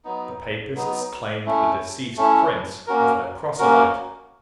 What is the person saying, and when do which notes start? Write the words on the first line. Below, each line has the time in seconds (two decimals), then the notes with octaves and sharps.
The Papists claimed the deceased prince as their proselyte.
0.05 F#3 B3 D#4
0.75 F#3 B3 D#4
1.46 A3 C#4 E4
2.17 A3 C#4 E4
2.87 A#3 C#4 F#4 A#4
3.59 A#3 C#4 F#4 A#4